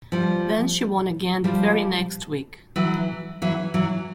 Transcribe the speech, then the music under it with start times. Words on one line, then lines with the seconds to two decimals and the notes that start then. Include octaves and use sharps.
Then she won again the very next week.
0.12 F3 G3
1.44 F3 G3
2.76 E3 F#3
3.42 E3 F#3
3.74 E3 F#3